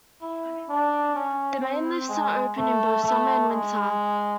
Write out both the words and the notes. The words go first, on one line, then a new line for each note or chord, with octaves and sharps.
The main lifts are open in both summer and winter.
E4
D4
C#4
C4
G#3
A3
A3
G#3